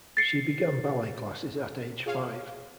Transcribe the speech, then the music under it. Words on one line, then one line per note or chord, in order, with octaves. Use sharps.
She began ballet classes at age five.
A6 C7 C#7
F4 G#4 C#5 F5